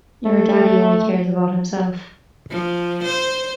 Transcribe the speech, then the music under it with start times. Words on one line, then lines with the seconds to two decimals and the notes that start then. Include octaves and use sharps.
Your daddy only cares about himself.
0.25 A3
2.50 F3
3.04 C5